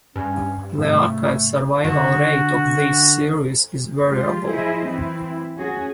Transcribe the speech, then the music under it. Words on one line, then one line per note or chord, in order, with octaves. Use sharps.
The archive survival rate of these series is variable.
G2 C#4
G#2 C3 A3 E5
D3 F#4
G#3 F4 G4
F3 E4 G#4 C5 D#5
E3 C4 E4
C#4 F#4 G#4